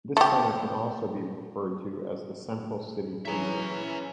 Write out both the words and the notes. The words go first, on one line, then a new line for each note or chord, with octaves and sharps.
This centre can also be referred to as the Central City precinct.
A3 G4
E3 F#3 C#4 E4 G#4 B4 E5 A#5